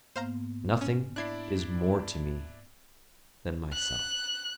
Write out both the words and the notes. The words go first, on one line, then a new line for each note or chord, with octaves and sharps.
Nothing is more to me than myself!
G#2 A#3 B3 C5 F5 A#5
C#4
D4 E4 D5 F#6 G#6 C7
F#6